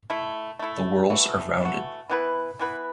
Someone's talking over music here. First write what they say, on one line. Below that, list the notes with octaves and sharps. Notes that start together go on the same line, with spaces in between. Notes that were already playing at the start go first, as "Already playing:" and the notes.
The whorls are rounded.
A3 E4 A4
A3 E4 A4
E3 A3 F#4
E3 A3 F#4
E3 B3 E4 B4
E3 B3 E4 B4